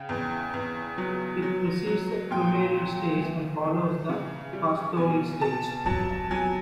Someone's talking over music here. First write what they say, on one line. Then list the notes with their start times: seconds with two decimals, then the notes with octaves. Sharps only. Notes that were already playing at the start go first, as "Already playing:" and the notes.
It precedes the Cromerian Stage and follows the Pastonian Stage.
Already playing: C#3 G5
0.09 E2
0.54 E2
0.98 F#3
1.42 F#3
1.86 F#3
2.31 A#2 G5
2.76 F#3
3.21 E3
3.64 E3
4.09 C#3
4.53 G3
4.97 B2 G#5
5.41 B2 A5
5.86 F#3 A5
6.31 F#3 G#5